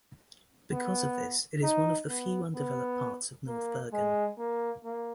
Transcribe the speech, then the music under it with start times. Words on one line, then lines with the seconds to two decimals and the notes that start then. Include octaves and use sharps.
Because of this, it is one of the few undeveloped parts of North Bergen.
0.72 B3
1.63 D#4
2.09 B3
2.55 B3
3.48 A#3
3.93 G#3
4.38 A#3
4.84 A#3